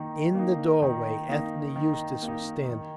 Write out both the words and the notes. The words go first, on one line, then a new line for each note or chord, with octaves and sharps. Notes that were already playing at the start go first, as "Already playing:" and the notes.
In the doorway Ethne Eustace was standing.
Already playing: D#3 A#3 D#4
A#3 D#4
D#3
A#3 D#4
D#3
A#3
D#4
D#3